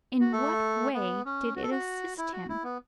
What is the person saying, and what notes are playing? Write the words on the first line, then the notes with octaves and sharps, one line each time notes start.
In what way did it assist him?
F#4
A3 A4
B3
C#4
F#4
A4
F#4
E4
F#4
E4
B3